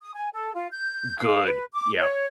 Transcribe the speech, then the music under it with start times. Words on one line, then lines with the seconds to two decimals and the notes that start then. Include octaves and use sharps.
Good. Yep.
0.02 D#6
0.14 G#5
0.33 A4
0.54 F4
0.71 G6
1.19 F5
1.46 B4
1.73 D6
2.00 C#5